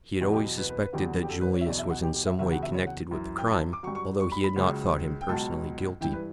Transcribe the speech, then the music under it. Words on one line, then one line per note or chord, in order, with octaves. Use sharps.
He had always suspected that Julius was in some way connected with the crime, although he had not thought him personally guilty.
E2 B2 F#3 F#4
G4
B4
B4
B4
E2 D3 F#3 G4
G4
A4
B4
C#5
E5
E2 B2 F#3 D5
E5
F#5
G4
G4
E5
E2 C#3 F#3 E5
F#5
E5
C#5
F#5
F#2 E3
G5
A5
D6
G2 F#3 C#6
C#6
C#6
B5
B5
C#2 C#3 F#3
G5
C#2 B2 F#3 A5
G2 E3 G5
B4